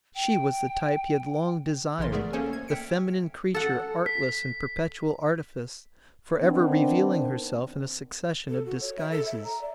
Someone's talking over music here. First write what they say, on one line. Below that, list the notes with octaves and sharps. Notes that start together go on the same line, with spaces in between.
She was the type he had long desired, the feminine creature artless in perpetual artifice, for ever revealing herself in a succession of disguises.
G5
A#1 C#3 E3 A#4 C6
A3 B3 G#4 A#4 D5 E5
A#3 C#4 A4 C5 C#5 G#5
G#6
E5 G5 F6 B6 C#7 D7
A4 F#5
B6
D#3 B3 C4 D4
A4
F#4
C#5
E5
A4
E5
A#5
D5